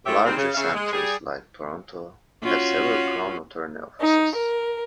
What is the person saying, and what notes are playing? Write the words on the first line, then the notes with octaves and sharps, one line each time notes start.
Larger centres like Toronto have several Crown Attorney Offices.
G#3 A3 C#4 E4 G4 E5
D#3 G3 G#3 C4
C#3
C#3 E5 F5
G#3
G3 G#4
C#4 F4 F#4
D#4
A#4